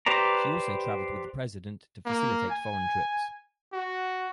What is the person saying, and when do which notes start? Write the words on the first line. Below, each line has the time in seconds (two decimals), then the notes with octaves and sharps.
She also traveled with the president to facilitate foreign trips.
0.06 G4 B4 C5 D5 A#5
2.05 A#3
2.51 G#5
3.73 F#4